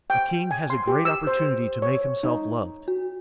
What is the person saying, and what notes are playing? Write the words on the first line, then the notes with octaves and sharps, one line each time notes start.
A king has a great opportunity to make himself loved.
G5
G#5
C6
G4
E6
C5
C#5
D#4
F#4